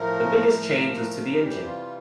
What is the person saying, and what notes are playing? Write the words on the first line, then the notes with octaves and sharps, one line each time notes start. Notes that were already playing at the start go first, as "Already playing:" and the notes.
The biggest change was to the engine.
Already playing: A2 F3 A3 A#4
A2 F3 A3
C3 E3 G3 G4
F4